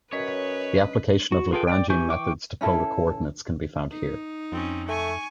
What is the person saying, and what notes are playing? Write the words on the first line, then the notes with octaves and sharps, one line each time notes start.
The application of Lagrangian methods to polar coordinates can be found here.
F#2 C#4 B4 C#5 D#5 B6
F#4
F4 G#4 A4 B4 G5
D5 G5
E3 G4 G#5 C#6 G6
E3 G5 C#6 D6
C#4 E4 A4
D#4
F2 C4 C#4
A3 G#5 C#6